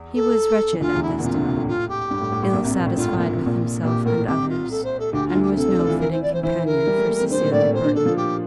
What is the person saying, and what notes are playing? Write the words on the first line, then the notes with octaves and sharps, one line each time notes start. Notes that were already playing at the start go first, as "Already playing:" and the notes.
He was wretched at this time--ill-satisfied with himself and others--and was no fitting companion for Cecilia Burton.
Already playing: E2
A4
E3
D2 D3 F4
E2 E3
E4
D2 D3
A#2
C2 C3 F4
D2 D3
C2 C3
A2
F4
G4
G2
A2
A2
A2
A#1 A#2
C2 C3
A#1 A#2
A2
G2 F4
A2
C3
A#1 A#2 F4
A#2
C3
A#1 A#2
A#1 A#2 G4
A2 A#4
C2 C3 G4
F4
A4
C5
A4
D2 D3 G4
F4
D2 D3
G4
A#4
C3 C4 A4
D3 D4
D3 D4
F4
E3 E4
A#4
C5
D5
C5
E3 E4 C5
A#4
G3
A3
A#3
C4
D3 D4 C5
A3
A#2 A#3
A2 A3 D5
A2 A3
A#2 A#3 C5
D3 D4
D3 D4 A4
F3 F4
G4